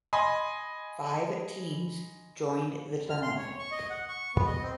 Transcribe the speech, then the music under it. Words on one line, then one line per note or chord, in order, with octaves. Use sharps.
Five teams joined the tournament.
D#5 G#5 B5 C6
F6
C6
C#5
C#6
D#5
F#5
C#6
B3
D#5
C4